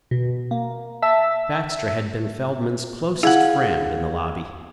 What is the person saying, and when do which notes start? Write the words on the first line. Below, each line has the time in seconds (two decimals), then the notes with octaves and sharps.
Baxter had been Feldman's closest friend in the Lobby.
0.11 B2
0.51 A#3
1.02 E5 A5 E6
3.23 E4 G#4 F5 F#5 G#6